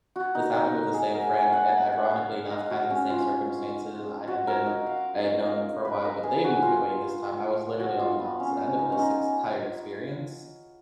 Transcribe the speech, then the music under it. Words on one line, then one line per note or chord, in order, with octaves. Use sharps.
This happened with the same friend, and ironically enough, kinda the same circumstances. I had been I had known them for a while, but they moved away this time, I was literally on the opposite end of this ex ...tire experience,
F#4
D#4
D#4
G#4
A#4
G#5
F#5
F#5
F#5
F5
F5
D#5
F#4
C#4
F4
F#4
A#4
D#5
F5
F5
D#5
B4
A#4
G#4
F#4
F4
F#4
F4
B3
C#4
D#4
C#4
D#4